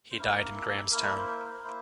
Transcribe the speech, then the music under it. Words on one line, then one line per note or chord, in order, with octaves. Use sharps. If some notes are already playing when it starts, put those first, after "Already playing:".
He died in Grahamstown.
C5
A#3 E4 A#4
A4
A#3 E4 A#4
C5
A#4
C5
A#4
C5
A#4
A#3 E4 C5